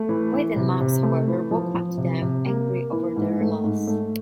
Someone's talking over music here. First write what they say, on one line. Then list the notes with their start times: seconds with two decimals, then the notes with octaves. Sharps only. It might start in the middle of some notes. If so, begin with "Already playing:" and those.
Wade and Max, however, walk up to them, angry over their loss.
Already playing: A3
0.09 E3
0.33 E3
0.56 C3
0.81 C3
1.03 A3
1.28 E3
1.51 F3
1.74 F3
1.97 C3
2.22 C3
2.46 A#3
2.69 A#3
2.93 E3
3.16 G#2
3.40 A3
3.64 G#2
3.87 A3